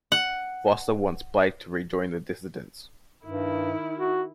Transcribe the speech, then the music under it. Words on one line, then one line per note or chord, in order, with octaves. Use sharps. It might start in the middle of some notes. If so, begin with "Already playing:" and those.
Foster wants Blake to rejoin the dissidents.
F#5
G2 D#3 E4
F#4